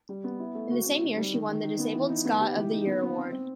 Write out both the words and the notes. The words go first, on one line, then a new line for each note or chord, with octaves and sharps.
In the same year she won the Disabled Scot of the Year Award.
G3
B3
E4
A3
F#4
C4
D#4
G3
D#3
D#3
D#4
B3
E3
D#4
B3
G4
E3
D#4
B3
B3
C4
C4